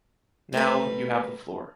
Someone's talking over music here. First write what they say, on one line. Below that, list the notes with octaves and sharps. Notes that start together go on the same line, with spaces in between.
Now you have the floor.
G3 A3 A#4 B4